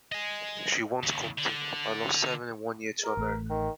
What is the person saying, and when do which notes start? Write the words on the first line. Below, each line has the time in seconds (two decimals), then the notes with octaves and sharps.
She once commented, I lost seven in one year to America.
0.12 D#5 G#5
1.03 D#2 C#3
1.38 D3
3.04 A#4
3.17 A1 A3
3.50 D#3